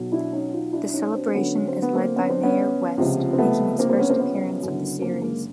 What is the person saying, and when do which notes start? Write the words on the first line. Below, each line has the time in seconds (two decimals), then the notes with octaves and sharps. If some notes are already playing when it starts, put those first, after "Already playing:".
The celebration is led by Mayor West, making his first appearance of the series.
Already playing: B1 B2 F#3
0.12 D4 E4
0.33 C#4 D#4
0.53 D#4 F4
0.73 D4 E4
0.94 C#4 D#4
1.14 C4 D4
1.27 C4
1.34 D2 D3 F#3 B3 C#4
1.55 C#4
1.68 C4
1.82 B3
1.95 A#3 C4
2.16 B3 C#4
2.29 C4 D4
2.43 B3 C#4
2.98 C#2 C3 F3
3.33 C4
3.38 A3 B3
3.79 A#3 C4
3.89 A#3 C4
3.99 B3 C#4
4.10 A#3 C4
4.20 B3 C#4
4.61 F#1 F#2 D3 F#3
5.01 A#3 C4
5.22 G#3 A#3